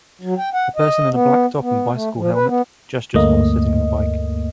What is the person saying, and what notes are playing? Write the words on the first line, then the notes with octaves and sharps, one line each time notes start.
A person in a black top and bicycle helmet gestures while sitting on a bike.
F#3
G5
F#5
D#5
B3
B3
A3
F3
B4
B3
D2 G2 A3 A#3 D#5